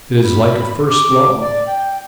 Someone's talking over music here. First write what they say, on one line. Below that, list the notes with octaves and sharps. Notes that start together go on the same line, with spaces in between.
It is like a first love.
B5
D6
D5
G5